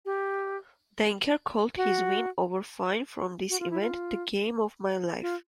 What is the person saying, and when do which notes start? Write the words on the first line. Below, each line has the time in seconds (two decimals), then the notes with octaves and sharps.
Denker called his win over Fine from this event 'the game of my life'.
0.05 G4
1.77 F#4
3.50 F#4
3.60 F4
3.70 E4
3.81 F4
5.22 F4